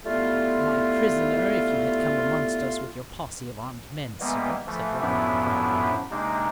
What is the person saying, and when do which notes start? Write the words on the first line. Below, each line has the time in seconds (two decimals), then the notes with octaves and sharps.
"My prisoner if you had come amongst us with your posse of armed men, sir," said Robin Hood proudly.
0.05 G3 A3 B3 E4 F4
4.20 E3 G3 G#3 A#3 B3
4.67 E3 F3 A3
5.02 F#2 A2 F3 B3 D4 E4
6.11 C3 G#3 A#3 D4 D#4